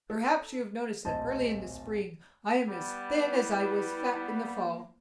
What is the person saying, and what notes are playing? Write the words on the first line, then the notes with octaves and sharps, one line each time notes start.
Perhaps you have noticed that early in the spring I am as thin as I was fat in the fall.
A4
D1 A#1 C5 D#5 A5
G3 B3
E4
A#3